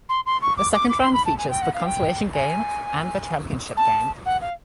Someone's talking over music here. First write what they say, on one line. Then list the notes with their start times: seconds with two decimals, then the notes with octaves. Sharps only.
The second round features the consolation game and the championship game.
0.09 C6
0.26 C6
0.42 C#6
0.57 D6
0.73 D6
0.89 D6
1.01 C6
1.13 B5
1.25 A5
1.38 G#5
1.50 G5
1.61 F#5
1.74 F5
1.86 G5
2.33 G#5
3.77 A5
4.25 F#5
4.41 F5